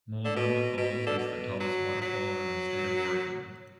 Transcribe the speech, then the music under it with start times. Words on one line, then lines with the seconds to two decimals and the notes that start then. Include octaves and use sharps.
Multnomah Falls is the tallest waterfall in the state of Oregon.
0.25 D3
0.36 B2
0.78 B2
1.07 D3
1.18 B2
1.60 F#3
2.01 F#3